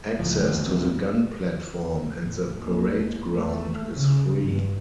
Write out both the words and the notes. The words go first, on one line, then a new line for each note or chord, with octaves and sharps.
Access to the gun platform and the parade ground is free.
C#2 A2 F3
G1 D2 D#3 A3
D#1 C2 F3 C4
A2
D#2
A3
C#3
G2